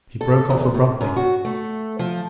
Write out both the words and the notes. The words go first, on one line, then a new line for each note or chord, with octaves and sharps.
He broke off abruptly.
A4
E2
A2
F#2
F#4
A3
F3